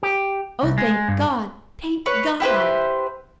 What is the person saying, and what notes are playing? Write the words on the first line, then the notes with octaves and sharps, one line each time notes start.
Oh, thank God, thank God!
G4
C2
G#3
G2
B4 C#5
E4 G4 B4 C5